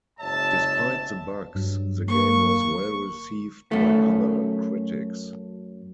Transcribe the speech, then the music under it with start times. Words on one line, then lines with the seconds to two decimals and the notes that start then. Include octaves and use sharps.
Despite the bugs, the game was well received by other critics.
0.20 F#1 G#2 C#5 E5 A5
1.55 G2 F#3
2.08 A#3 C#6
3.71 F#2 A3